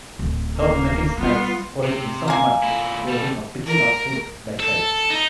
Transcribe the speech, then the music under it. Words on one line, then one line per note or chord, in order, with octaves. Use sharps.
South American snipes forage in soft mud, probing or picking up food by sight.
D1
A#3
G3 B3 F4
C3
A#3 G#5
A#2 E4
G3 A4
A#4
A4
D#4